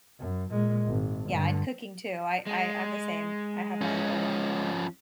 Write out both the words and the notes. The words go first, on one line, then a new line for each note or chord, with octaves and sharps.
Yeah, and cooking too, I I I'm the same. I have my little one, um,
F#2
A#2 G#3
G#1
G2 D3
G#3
F3 C#4